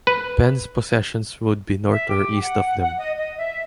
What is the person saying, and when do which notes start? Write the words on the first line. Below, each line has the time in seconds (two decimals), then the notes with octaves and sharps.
Penn's possessions would be north or east of them.
0.07 B4
1.91 E5
2.08 G4
2.41 F#5
2.80 F#5
2.98 D#5
3.17 D#5
3.38 E5